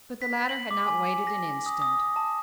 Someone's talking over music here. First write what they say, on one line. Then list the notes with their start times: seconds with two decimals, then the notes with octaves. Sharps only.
But the latter had not waited an instant.
0.22 B6
0.49 F#7
0.71 D6
0.86 G#5
1.27 A#6
1.66 D#6
1.82 D#6
2.16 A5